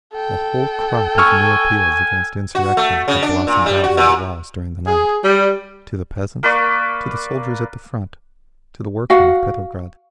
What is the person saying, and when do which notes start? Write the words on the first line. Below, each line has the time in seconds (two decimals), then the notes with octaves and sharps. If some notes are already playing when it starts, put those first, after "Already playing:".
A whole crop of new appeals against insurrection had blossomed out on the walls during the night--to the peasants, to the soldiers at the front, to the workmen of Petrograd.
0.13 A4 G5
1.18 G#5 C#6 E6 F6
2.55 F#4
2.77 A3
3.08 C#3
3.23 D4
3.47 A#2
3.66 G3
3.84 F#4
3.97 A#2
4.86 G#4
5.23 G3
6.43 A#3 B4 D5 C#6
9.10 F#4 F5 F#5